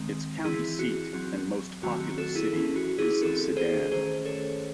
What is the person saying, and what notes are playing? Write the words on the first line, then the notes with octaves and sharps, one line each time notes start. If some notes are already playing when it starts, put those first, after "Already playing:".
Its county seat and most populous city is Sedan.
Already playing: D#3 G#3 C4
E3 C4 E4 G#4
F#4
F#3 C4 F#4
D#3 F#3 A3 C4 F#4
F#4
F#4 A4
E4 G#4
E3 A3 C#4 E4
F#4
E4 G#4
E3 C4 F#4 A4
G#4 C5
D#3 A3 C#4 G#4 C5
A4 C#5